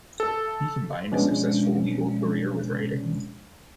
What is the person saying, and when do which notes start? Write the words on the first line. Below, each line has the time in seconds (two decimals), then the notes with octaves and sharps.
He combined a successful legal career with writing.
0.20 A4
1.12 B2 F3 G#3 B3 C#4 D4